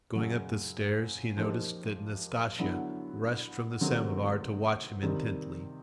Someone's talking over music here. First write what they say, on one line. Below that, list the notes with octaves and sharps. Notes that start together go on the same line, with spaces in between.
Going up the stairs he noticed that Nastasya rushed from the samovar to watch him intently.
F#2 C#3 F#3
F3 A#3 D#4 G4
D3 F#3 B3 E4
C3 D#3 F#3 A3 C4
C3 D#3 G3